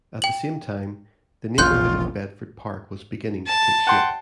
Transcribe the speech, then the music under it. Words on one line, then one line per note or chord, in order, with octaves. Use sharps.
At the same time, the neighborhood of Bedford Park was beginning to take shape.
G5 F#7
E1 A#1 C#3 F4 C6 F#6 G6
A5
F#5 G5 C6